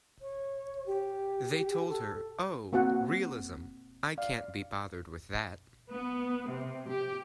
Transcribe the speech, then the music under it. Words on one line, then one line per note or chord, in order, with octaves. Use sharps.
They told her, Oh, realism, I can't be bothered with that.
C#5
G4
A4
A#3 C4 F#4 F#5
D5 F5
B3
C3
G4